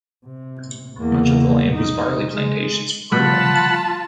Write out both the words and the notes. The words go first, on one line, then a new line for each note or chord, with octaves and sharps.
Much of the land was barley plantations for brewing.
C3
E2 A#3
D#4
G#3
F3 G3 A3 F4 F#5 A5 B5